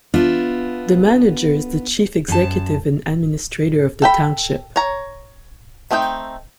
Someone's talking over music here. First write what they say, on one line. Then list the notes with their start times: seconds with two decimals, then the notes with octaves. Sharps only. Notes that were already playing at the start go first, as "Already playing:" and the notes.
The Manager is the chief executive and administrator of the Township.
0.14 B3 D4 F4 E5
2.28 F#2 A5
4.02 A4 G5 B5
4.76 C#5 A#5
5.91 A3 C4 D#4 G#4 G5